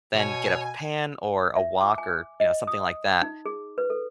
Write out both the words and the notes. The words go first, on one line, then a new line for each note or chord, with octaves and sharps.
then get a pan or a wok or, you know, something like that,
B2 C#5 G#5
E5
D6
G#5
D#5
D#6
D#4
G#4
B4
A4